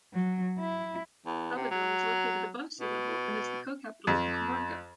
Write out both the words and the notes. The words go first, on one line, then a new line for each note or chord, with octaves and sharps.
Sabadell is located above sea level and is the co-capital of the "comarca".
F#3
E4
E2
C3
F#3
B2
F2